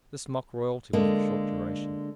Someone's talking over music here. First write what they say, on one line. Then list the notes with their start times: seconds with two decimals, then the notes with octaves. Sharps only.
This mock royalty was of short duration.
0.93 D3 G#3 A#3